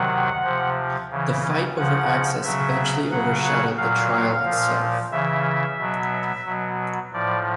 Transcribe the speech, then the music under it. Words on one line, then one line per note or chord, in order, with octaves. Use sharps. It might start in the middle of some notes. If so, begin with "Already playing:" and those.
The fight over access eventually overshadowed the trial itself.
Already playing: C3 D#3 F#3 F#5
C3 F3
C#3 E3
C#3 F3 F#5
C#3 F#3 E5
C#3 F#3 F#5
F#5
A#2 F#3 F5
A#2 F3
C#3 E3 E5
B2 F#3
B2 F#3
A2 F3 D5